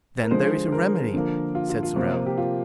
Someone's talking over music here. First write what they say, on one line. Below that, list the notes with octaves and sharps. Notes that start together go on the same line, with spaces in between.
"Then there is a remedy," said Sorel.
A#4
D3 F3 G#3 C5
A#4
D3 F3 A#3
F4
F4
F4
C3 F3 A#3
G4
F4